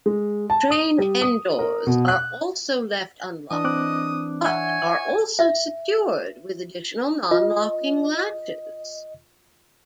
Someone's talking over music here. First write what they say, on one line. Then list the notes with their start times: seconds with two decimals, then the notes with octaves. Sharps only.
Train end-doors are also left unlocked, but are also secured with additional non-locking latches.
0.06 G#3
0.50 A5
0.70 D#6
0.98 G3
1.22 D#6
1.59 A#4
1.87 B2
2.08 F#6
3.51 E3 D4 D#5 D#6
3.64 C4 D6 F#6
4.45 C#5 E5 F#5 G#5
5.39 E5
7.31 F4 D#5